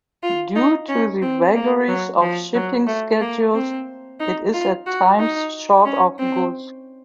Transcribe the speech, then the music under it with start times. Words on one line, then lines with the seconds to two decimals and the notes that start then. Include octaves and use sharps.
Due to the vagaries of shipping schedules it is at times short of goods.
0.23 F4
0.56 D#4
0.89 C#4
1.22 C4
1.56 A#3
1.88 F#3
2.22 F3
2.54 F#3
2.87 A3
3.21 A#3
3.54 C4
4.20 D#4
4.54 F4
4.86 F#4
5.19 D#4
5.85 C#4
6.19 C4